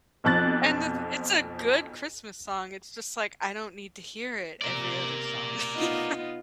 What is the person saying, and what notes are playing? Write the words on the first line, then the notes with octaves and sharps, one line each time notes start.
i and the th it's a good Christmas song. It's just like I don't need to hear it every other song, you know,
B1 F2 F3 F#6 A6
C3 A#4 D5
B3 D#4 F4